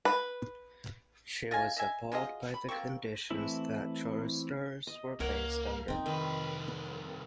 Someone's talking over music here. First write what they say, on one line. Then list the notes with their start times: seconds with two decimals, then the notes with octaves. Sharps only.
She was appalled by the conditions that choristers were placed under.
0.05 B4
1.51 F4 D#5 F5 G#5
1.76 D#5 E5 G#5
2.12 F#3 F4 G#4 D#5
2.54 B5
2.69 F3 A#3 C4 C#6
3.30 E3 A3 C4 E4 E5
4.87 D#5
5.20 C#2 A#3 A#4 C#5 F#5
5.88 F2 C3 C4 D#4
6.06 C2 D#3 B4